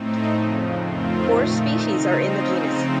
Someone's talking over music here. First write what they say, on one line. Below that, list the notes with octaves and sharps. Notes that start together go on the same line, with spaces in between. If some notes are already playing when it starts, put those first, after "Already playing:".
Four species are in the genus.
Already playing: A2 A3 C4 D#4
F2 C#3 F3
D#3 A3 C4 F4
A#2 A3 D#4
C#3 F3 C4 D#4
C#3 F3 C4 D#4
C#3 A3 C4 D#4